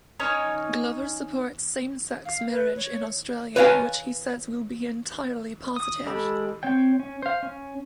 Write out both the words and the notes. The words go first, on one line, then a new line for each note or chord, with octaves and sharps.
Glover supports same-sex marriage in Australia, which he says will be "entirely positive".
C#4 D#4 C#5 D#5
F5
B4
C#5
B4 C#5 F5 G#5
D#6
G#3 G4 A4 B5
C4 C#5 G5
C#4
C5 F5
C#4